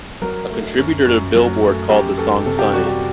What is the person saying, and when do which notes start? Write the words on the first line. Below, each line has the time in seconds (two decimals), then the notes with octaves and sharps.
A contributor to "Billboard" called the song sunny.
0.22 F#3 A#4
0.50 A3
0.78 F#2
1.06 F#2
1.35 F#3
1.62 A3
1.89 F#2 G4
2.18 F#2 A4
2.46 C3 A4
2.59 G4
2.73 G3 F#4
2.87 G4